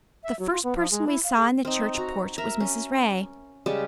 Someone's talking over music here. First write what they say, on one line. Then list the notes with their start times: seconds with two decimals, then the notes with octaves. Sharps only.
The first person we saw in the church porch was Mrs. Ray.
0.23 E5
0.39 F#3
0.51 F4
0.63 B3
0.76 F3
0.91 G#3
1.07 E4
1.23 F5
1.36 G#4
1.65 C4 D#4
1.95 F#4 A#5
2.38 A#4 E5 A#5
2.60 C#4
3.66 C#3 G3 G#3 A5